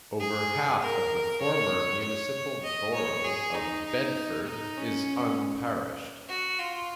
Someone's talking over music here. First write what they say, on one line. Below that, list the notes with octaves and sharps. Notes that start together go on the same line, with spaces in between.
Over half of the former municipal borough of Bedford is unparished.
G#4
A#4
C#5
C#5
D#5
C#5
G#4
D#4
D#4
D#4
C#4
F#4
F4